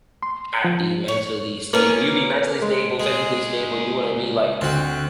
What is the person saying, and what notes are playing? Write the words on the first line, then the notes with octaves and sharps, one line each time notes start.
happy, mentally stable you'll be mentally stable, physically stable, you wouldn't be, like,
C6
F3
C#5
A#3 B3 C#4
G#3
C#2 G#3 G#4
D2 D3 C4 F#4